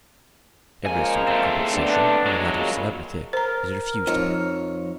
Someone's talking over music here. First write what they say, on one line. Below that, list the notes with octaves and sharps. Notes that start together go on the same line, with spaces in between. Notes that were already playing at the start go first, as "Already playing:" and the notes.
Every sort of compensation, even that of celebrity, is refused to him.
C#3 F3 G#3 A#3 G#5
A3 C4
B3 D4
F#3 G#3
A#2 C#3
A#4 C5 A#5
F2 F3 D#4 C#5